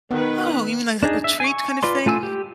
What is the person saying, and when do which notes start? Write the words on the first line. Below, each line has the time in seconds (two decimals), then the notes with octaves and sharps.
Oh, you mean like a a treat kind of thing?
0.11 D#3 B3 B4 F#5
1.03 D4 D#4 G#4
1.24 E5
1.40 G#5 C#6
1.83 F4 B4 D5 C6
2.06 A3 F4 G#5 E6
2.23 G4